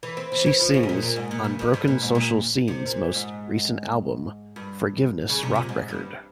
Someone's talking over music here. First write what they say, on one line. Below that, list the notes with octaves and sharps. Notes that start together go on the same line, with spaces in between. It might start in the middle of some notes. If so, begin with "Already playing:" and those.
She sings on Broken Social Scene's most recent album "Forgiveness Rock Record".
E3
C4
E3
E3
F3
C#3
G#2
A#2
A#2
G#2
A#2
G2
F2
G2
A#2
G#2
A#2
C3
A#2
G#2
G2
C#3
C3
A#2
G#2
G2